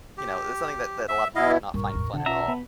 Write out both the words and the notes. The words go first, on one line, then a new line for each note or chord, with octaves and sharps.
you know, it's something that that a lot of people would not find fun at all.
G4
E5
B2 B3 E4 D#5 F5
A#1 G2 A#4 C#6
A1 E2
B1 D3 F#5 A5
C#4 F4 B4 E5 A#5
B3 B5